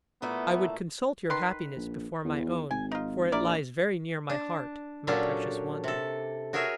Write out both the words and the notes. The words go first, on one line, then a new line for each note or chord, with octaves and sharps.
I would consult your happiness before my own, for it lies very near my heart, my precious one.
A#2 E3 A3 B3
D#3 B4 C6
A#1
E2
G#1 G#5
D#4 F4
A#1 E4 A#4 D5
D4
A#2 F#3 C#4 D4 G4 A4
C3 A4
F#4 G#4 A#4 C#5 E5